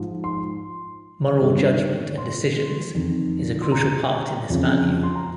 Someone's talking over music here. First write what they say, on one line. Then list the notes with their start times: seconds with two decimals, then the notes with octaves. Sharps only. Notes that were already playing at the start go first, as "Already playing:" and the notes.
Moral judgement and decisions is a crucial part in this value.
Already playing: G#2 F3
0.24 C6
1.41 G2 D#3
2.18 C6
2.95 F2 D#3
3.62 C6
3.72 A#5
4.50 F2 C#3 F3
5.03 C6
5.15 A#5